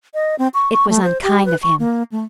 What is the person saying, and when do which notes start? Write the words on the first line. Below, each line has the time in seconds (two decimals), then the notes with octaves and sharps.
It was unkind of him.
0.14 D#5
0.39 C4
0.54 C#6
0.72 C#6
0.89 A3
1.04 C5
1.23 G4
1.46 B4
1.62 C#6
1.79 A#3
2.12 A3